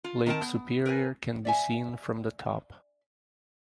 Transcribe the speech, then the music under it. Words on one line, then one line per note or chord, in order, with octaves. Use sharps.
Lake Superior can be seen from the top.
F4
D#3 C4 A#4 A5
B3
A#4 B4 G#5
D5 E5 G#5